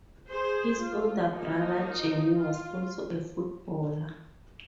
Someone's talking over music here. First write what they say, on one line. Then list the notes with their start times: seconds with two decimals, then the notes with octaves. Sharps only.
His older brother Jamie was also a footballer.
0.28 G#4 C5
0.80 F4
1.32 F3 A#3 D#4
2.36 F4